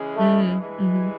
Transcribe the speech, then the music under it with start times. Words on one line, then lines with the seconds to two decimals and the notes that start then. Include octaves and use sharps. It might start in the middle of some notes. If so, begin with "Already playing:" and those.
Mm, mhm.
Already playing: C#3 E3 G#3
0.15 A3
0.57 G2 E3 G#3